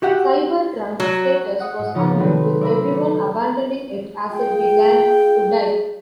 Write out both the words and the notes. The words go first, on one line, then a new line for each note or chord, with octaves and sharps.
Cybertron's status was unknown, with everyone abandoning it as it began to die.
F#4 G4 E5 F#5
F#3
F#5 D#6 C#7
G#2
C#3 F3 C#4 D#4 F4
C3 D#3 F#3 A3 C4 B4
D5 E5 A#5 B5
A3
F4 G#4 G5